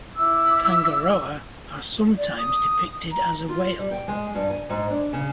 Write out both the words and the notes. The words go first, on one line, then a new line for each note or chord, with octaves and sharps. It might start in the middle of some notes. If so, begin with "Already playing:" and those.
Tangaroa are sometimes depicted as a whale.
E4 D6 E6
D5
D#6
A#5
F4
G3
G5
G#3
G2
G#5
G#2
D4
C#3